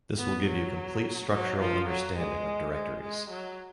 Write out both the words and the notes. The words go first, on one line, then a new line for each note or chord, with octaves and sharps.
This will give you complete structural understanding of directories.
B3
F#3
F#3
F3
F#3
G#3
G#3
G#3
F#3